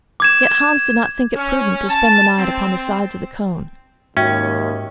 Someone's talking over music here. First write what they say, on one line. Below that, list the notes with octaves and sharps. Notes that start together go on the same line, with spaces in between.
Yet Hans did not think it prudent to spend the night upon the sides of the cone.
D6 G#6 E7
C#4
A5
C4
D#2 G#2 C#4 F#4 E5 G5